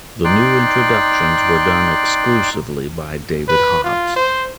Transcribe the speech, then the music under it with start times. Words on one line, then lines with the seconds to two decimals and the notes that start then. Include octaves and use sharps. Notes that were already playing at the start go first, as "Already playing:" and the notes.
The new introductions were done exclusively by David Hobbs.
0.24 D#4 D5 G5 C6 F#6
3.48 B4
3.84 F4
4.16 C5